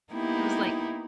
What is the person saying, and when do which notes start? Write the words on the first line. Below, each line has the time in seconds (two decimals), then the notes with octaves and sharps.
It was like
0.13 A#3 B3 D#4 E4 G4